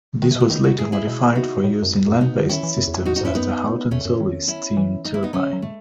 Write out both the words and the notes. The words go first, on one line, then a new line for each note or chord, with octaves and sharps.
This was later modified for use in land-based systems as the Howden-Zoelly steam turbine.
D#3 G#3
A3
B2 G#3 B3
D#3 B3 D#4
D#4 F#4
E4 G#4
E4 G#4
B2
D#4 F#4
A2
G#2
F#2
E2
F#2
B2 B3 D#4
D#3 C#4 E4
E3
F#2
E2
F#2
A2 D#4 F#4
D#4 F#4
G#2 C#4 E4
F#2 B3 D#4
E2 A3 C#4
F#2
D#3
C#4 E4
E3
D#4
E4
B3 D#4
F#3 A3 C#4
F#3
G#3 A3